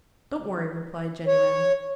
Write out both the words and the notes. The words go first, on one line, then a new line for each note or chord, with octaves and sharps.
"Don't worry," replied Jenny Wren.
C#5